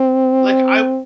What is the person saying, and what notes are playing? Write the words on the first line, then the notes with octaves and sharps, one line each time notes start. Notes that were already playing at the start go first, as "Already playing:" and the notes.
like I
Already playing: C4